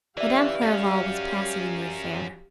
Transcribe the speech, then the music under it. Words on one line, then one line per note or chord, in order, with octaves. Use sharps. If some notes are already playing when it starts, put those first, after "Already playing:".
Madame Clairval was passive in the affair.
E3 G4 D5 E5 F5
F#2 C#4